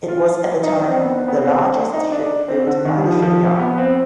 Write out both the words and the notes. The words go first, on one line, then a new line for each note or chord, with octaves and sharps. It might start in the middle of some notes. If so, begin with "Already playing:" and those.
It was at the time the largest ship built by the shipyard.
F4
D#4
D4
C4
B3
C4
B3
C4
D4
D#4
D4
C4
D3
D#3
G3
F3
F3
B3
C4